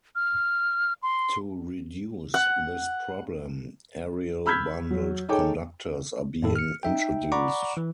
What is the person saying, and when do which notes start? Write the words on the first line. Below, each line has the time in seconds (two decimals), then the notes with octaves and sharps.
To reduce this problem, aerial bundled conductors are being introduced.
0.15 F6
1.03 C6
2.34 F#5
4.46 B5 E6 F6 G6 G#6 B6
4.90 F#3
5.29 D#4 G#4 A4 C#5 G5 D6
6.42 F2 A2 A4
6.56 F6 C#7
6.83 D#4 E5 G5
7.32 D5 F#5 A#5 B5 C#6 D6
7.77 E3